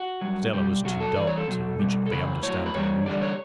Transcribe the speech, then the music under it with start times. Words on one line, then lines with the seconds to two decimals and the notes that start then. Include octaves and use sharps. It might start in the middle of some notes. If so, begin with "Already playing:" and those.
Stella was too dull to immediately understand the allusion.
Already playing: F#4
0.21 G2 F#3
0.53 B2 G3 G4
0.84 B2 F#3 F#4
1.00 A4
1.16 G2 E3 D5
1.27 C#5
1.37 A4
1.48 B2 F#3
1.79 B2 G3
2.06 A4
2.11 E2 C#3 B4
2.43 A2 F#3 C#5
2.66 B4
2.74 G2 E3 G3 C#5
3.06 E2 D3 G3 D5
3.21 C#5